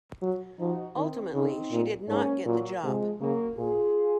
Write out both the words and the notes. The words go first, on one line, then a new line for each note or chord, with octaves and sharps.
Ultimately, she did not get the job.
F#3
F3 D#4 F#4
D#3 C4 D#4
C#3 C4 D#4
A#2
G#2 A#3 C#4
A#2 F#3 A#3
C3 F3 G#3
C#3 F#3 A#3
A#2 F4 G#4